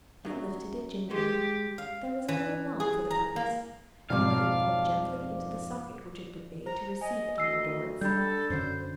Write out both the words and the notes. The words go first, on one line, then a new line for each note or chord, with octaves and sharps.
He lifted it gingerly--there was a little knob for the purpose--and let it fall gently into the socket which had been made to receive it on the door itself.
F#2 F#3
G#3 G4
F5
E3
G#4
A#5
A#3
F2 G#2 B2 F3 C4 D5 F5 D6
C5 A#5
D#5 G#5
D2 E6 C7
G3 D4 A4 B5 G6
F#2 D3 C5